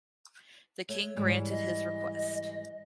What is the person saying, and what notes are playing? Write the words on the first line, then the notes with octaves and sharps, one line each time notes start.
The king granted his request.
A3 C#5
G#2 E3 G3
D#5